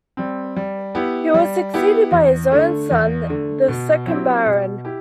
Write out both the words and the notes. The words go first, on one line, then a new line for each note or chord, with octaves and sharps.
He was succeeded by his only son, the second Baron.
G3 C4
G3
B3 E4 G4
G3
B3 E4 G4
E2
D3 A3
E2
D3 A3
B2
F#3 C4 E4 G4
B2
E4 G4